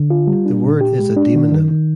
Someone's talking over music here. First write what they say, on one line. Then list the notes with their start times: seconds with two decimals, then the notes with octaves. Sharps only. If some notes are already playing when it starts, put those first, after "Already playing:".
The word is a demonym.
Already playing: D3
0.10 F4
0.27 G3
0.45 D4
0.64 A#2
0.81 G4
0.99 G#3
1.17 D4
1.34 D#3
1.52 D#3
1.71 D#3